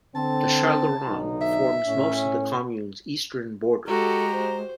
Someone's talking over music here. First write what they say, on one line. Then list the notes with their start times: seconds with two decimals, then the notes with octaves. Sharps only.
The Chalaronne forms most of the commune's eastern border.
0.16 D3 C4 A5
1.08 B1 D3 D#4
1.42 E5
1.87 A2 C#4
3.88 G#3 F#4 G4 A4 A#5
4.31 C5